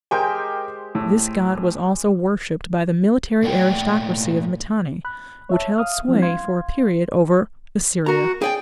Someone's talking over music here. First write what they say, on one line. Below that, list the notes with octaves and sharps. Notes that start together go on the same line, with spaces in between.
This god was also worshipped by the military aristocracy of Mitanni, which held sway for a period over Assyria.
G#3 G4 A#4 C5 G5 G#5
A2
A#2 A3 D5 F#5 G5
B5 F#6
C#5 E5 A5
F5 D#6 F6
F3 G3 G#3 C4 D4 E4
F5 C6 G#6
F#4 A#4 A#5
G#4 D5 G5 G#5